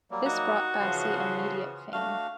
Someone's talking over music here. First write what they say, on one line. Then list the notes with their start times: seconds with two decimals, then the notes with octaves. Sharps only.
This brought Bassi immediate fame.
0.11 F#3 G3 A#3
0.26 D#4 F#4
0.80 C#3 E3 F3 C6
1.93 A3 D4 F#4 F5